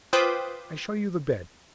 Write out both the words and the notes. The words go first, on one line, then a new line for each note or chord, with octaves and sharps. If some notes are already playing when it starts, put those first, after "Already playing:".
I show you the bed.
F4 B4 C5 G5 D6 D#6